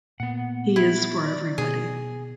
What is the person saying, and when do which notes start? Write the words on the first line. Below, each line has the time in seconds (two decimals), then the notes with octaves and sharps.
He is for everybody.
0.20 A#2 B3 F#5
0.76 E4
1.26 D5
1.58 B2 G#4